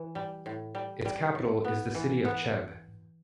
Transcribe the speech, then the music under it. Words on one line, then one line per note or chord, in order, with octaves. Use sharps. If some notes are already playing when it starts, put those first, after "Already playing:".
Its capital is the city of Cheb.
Already playing: E3
G3
A2
G3
G3
A2
B3
E3
B3